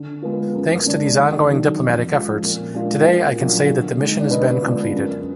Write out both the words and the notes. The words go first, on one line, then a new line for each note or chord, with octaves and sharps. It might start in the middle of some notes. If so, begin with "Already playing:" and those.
Thanks to these ongoing diplomatic efforts, today I can say that the mission has been completed.
Already playing: D3
G#3 B3 F4
F#2 A#4
D3 G#3 D4
D#2
D#3 F#3 D4
F2
F3 G#3
A#2
G#3 D4 F4
A#2
F#3 D4 F4
D3
G#3 D#4
D5
D3 B4 D#5
G#3 B3 D4 F4
F#2